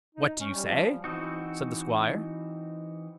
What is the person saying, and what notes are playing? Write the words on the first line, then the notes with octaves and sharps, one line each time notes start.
'What do you say?' said the Squire.
D#4
C#4
G3
F3
E3 C4 D#4 F#4